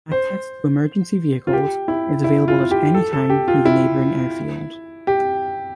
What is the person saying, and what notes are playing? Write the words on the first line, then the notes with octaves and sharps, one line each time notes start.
Access to emergency vehicles is available at any time through the neighbouring airfield.
C5
F4
G4
E4
E4
F4
G4
A4
A4
G4
F4
E4
G4